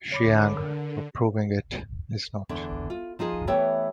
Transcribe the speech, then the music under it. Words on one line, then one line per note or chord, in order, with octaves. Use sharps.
Chiang for proving it is not.
D3 C#5 B5 D6
A#4
E2 D3 D4
F4
F3 D#4 F4 G#4
E3 A3 B3 G4 C#5 E5